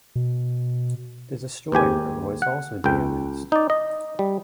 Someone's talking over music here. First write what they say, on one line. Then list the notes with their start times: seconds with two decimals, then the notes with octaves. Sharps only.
The destroyer was also damaged.
0.16 B2
1.72 D#2 G#2 G4 G#5
2.42 F#5
2.84 C#2 G5
3.52 D#4 D5
3.70 D#5
4.19 G3